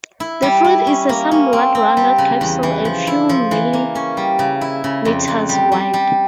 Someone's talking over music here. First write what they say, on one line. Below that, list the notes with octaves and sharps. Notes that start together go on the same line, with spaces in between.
The fruit is a somewhat rounded capsule a few millimeters wide.
E4
G3
E4
C#4
A#3
C#4
C4
C4
G3
C#3
E2
E3
F3
E4
F3
E3
A#3
C#4
G3
C#3
E4
C#3
F2
F2
G3
G3
G3